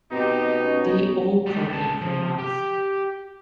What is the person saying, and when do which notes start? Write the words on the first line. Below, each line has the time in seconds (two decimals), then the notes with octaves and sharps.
They all copied from us.
0.12 B2 C4 D#4 G4
0.60 B3 C#4
1.46 G3 G#3
1.69 C#2 A5
2.01 F3
2.38 G4